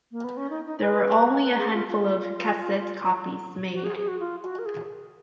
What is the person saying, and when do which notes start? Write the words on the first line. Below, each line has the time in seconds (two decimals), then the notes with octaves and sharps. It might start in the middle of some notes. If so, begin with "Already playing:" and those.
There were only a handful of cassette copies made.
0.12 A#3
0.24 B3
0.37 C#4
0.50 D#4
0.66 D#4
0.81 B4
1.43 B4
1.58 G#4
1.73 F4
1.89 F4
3.73 F#4
3.84 G#4
3.97 G#4
4.08 F#4
4.20 F4
4.43 F#4
4.59 A#4
4.66 G#4